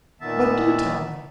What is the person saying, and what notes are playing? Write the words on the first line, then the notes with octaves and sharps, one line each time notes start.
"But do tell me!"
A#2 D#3 B3 E5 A5